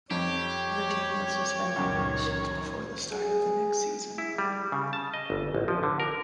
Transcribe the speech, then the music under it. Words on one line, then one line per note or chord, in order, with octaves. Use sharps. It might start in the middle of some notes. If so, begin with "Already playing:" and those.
The team would suspend operations before the start of the next season.
F2 G4 C#5
C#2 F#2 A#2 D#3
G#4
E4
G3
C#3
A5
D#5
G1
A1
F3
D3
A#4